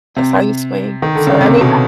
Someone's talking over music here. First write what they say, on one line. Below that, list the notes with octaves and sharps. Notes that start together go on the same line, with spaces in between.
That's how you swing, so, I need
C3
D#3
D3
C#3
C3
B2